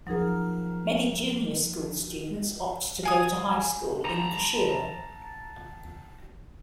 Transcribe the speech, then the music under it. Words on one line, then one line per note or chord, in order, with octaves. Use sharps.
Many junior school students opt to go to high school in Kushiro.
F3 F#3 D#4 G#4 A#4
F5 G#5 D#6
A5 A#5